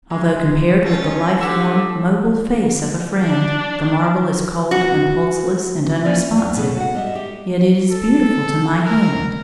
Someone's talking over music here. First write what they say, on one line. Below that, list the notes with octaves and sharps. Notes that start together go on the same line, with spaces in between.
Although, compared with the life-warm, mobile face of a friend, the marble is cold and pulseless and unresponsive, yet it is beautiful to my hand.
G#3
A3 C#4 F4
E3 D4 E4 G4 A4 E5 F#5
D4
F#4
A#3 C#4 E4 D5 E5
E2 F#3 G#5
B2 B3 G#4 A4
F#4 F#5
G3 D#5 E5
G4
A4
A#4